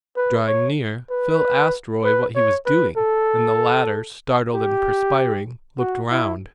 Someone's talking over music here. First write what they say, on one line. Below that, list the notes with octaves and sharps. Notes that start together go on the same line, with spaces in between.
Drawing near, Phil asked Roy what he was doing, and the latter, startled and perspiring, looked round.
B4
C#5
B4
B4
C#5
B4
A4
G4
F#4
E4